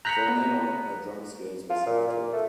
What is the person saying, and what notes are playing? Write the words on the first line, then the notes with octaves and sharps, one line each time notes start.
From then on her drum skills were self taught.
A#5 F#6 G6 A#6 B6 C#7
B3
F4
A#2
A#2
A3